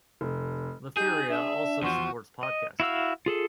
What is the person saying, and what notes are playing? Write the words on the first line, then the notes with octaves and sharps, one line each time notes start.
Liferea also supports Podcasting.
F1
D#4 G4 G#4 G6
D4 E5
E2 F3 F#4 C6
D#5
E4 F#4 F5 E6
F4 G#4 A4